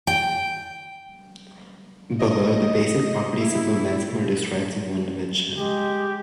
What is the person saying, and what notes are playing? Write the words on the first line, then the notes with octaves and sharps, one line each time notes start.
Below, the basic properties of momentum are described in one dimension.
G5
D#5
E4
G#3 G4